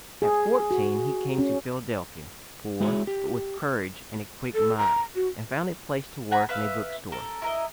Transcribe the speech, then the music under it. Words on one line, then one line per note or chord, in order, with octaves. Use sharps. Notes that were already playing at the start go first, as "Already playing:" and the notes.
At fourteen he came to Philadelphia, poor, but with courage and a quick mind, and found a place to work in a bookstore.
G#4
F#4
C#4
G#3 E4 F#4 G#4 A#4 C#5
G4
A4
A#5
F#4
F#5 G#5 A#5 B5
B4 E5 F5
A4 A#4
E4 A#4 D#5